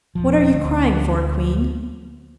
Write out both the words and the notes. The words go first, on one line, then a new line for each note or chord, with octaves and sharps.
"What are you crying for, queen?"
D#1 F3
D2